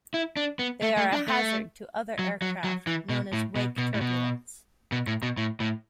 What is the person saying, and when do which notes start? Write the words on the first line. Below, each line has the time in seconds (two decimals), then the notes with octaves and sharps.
They are a hazard to other aircraft, known as wake turbulence.
0.14 E4
0.37 D4
0.59 B3
0.82 A3
0.97 A3
1.12 D4
1.28 A3
2.19 F#3
2.42 F#3
2.64 F#3
2.87 E3
3.09 B2
3.33 A2
3.56 B2
3.78 B2
3.94 A2
4.01 B2
4.92 B2
5.07 A2
5.23 B2
5.37 A2
5.60 A2